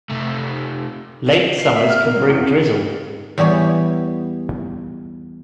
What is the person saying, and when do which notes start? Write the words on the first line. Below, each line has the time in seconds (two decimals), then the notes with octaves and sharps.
Late summers can bring drizzle.
0.10 C3 A3
1.59 C7
1.76 E5
1.90 F6
2.05 A#3
2.16 F#3
2.29 E2
3.38 E2 G3 B3 C#5 G#5